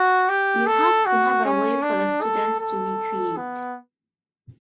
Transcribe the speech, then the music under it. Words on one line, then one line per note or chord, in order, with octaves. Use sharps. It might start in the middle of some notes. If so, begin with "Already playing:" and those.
You have to have a way for the students to recreate.
Already playing: F#4
G4
A4
F#4
C#4
D4
A4
A4
B3